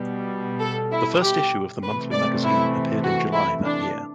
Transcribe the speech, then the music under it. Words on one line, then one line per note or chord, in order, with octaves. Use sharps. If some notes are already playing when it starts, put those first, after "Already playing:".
The first issue of the monthly magazine appeared in July that year.
Already playing: B2 G3
A4
E4
G4
C3 E3 A3 B4
D5
E4
F#4
E4
D4